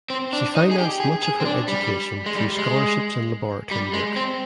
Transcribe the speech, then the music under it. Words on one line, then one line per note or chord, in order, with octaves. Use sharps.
She financed much of her education through scholarships and laboratory work.
C4
D4
D#4
G#4
G4
G#4
G#4
C4
D4
G3
G#3
G3
G#3
G3
G#3
C4